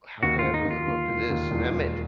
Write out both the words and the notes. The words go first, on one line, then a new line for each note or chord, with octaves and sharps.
how could I ever live up to this? That ma
D#2 F#4
D#2 F4
D#4
D#2
F4
D#2
E1
D#2
E1
E1